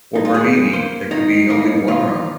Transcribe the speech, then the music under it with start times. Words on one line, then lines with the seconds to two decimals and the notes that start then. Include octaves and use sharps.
For Bernini there could be only one Rome.
0.16 D#4
0.25 F4
0.34 D#3 G#4
0.73 A#3 C5
1.11 D#3 D#4
1.50 A#3 D#4
1.88 D#3 F4